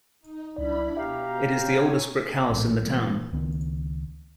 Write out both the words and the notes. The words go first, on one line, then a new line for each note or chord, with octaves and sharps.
It is the oldest brick house in the town.
D#4
C#2 G3 D4 E4 D5 B5
B2 G4 E5 F5 G5 A#5
C#5 G#5
A#1 A2
A#2 E3 G#3 A#3
C#2 D#3 B3